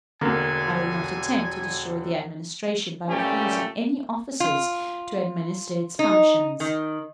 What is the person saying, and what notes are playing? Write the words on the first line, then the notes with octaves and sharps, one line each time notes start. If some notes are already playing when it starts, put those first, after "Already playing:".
I will not attempt to destroy the Administration by refusing any officers to administer its functions.
E1 D3 A#3 G#5
G2 A#2 A3 C#4 G4
F4
D#4
D#3